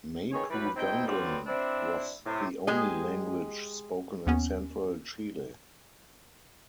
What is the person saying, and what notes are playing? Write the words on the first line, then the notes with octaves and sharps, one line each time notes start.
Mapudungun was the only language spoken in central Chile.
D#3 G#4 B4 C#5
D#2 E3 F#3 G3 B4
F2 C4 D#4 E4 G5
G2 D3 F#3 G3 B3 C4
C4 D4 E4
A2 C3
G#3 G4 G#4 D#5
D#2 B3 C#4